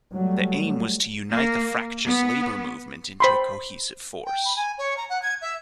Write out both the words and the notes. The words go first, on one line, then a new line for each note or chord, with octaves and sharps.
The aim was to unite the fractious labour movement into a cohesive force.
F#3 G3 A3
A#3
B3
C5 B5 C6
G5
B5
G#5
C#5
A#5
F#5
G#6
E5